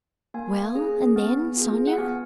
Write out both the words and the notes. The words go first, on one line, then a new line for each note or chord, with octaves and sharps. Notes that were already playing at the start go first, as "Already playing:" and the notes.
"Well, and then, Sonya?..."
A#3 G#5
C#4 G#4
B3
F4 G#4
F#5
B3 G#5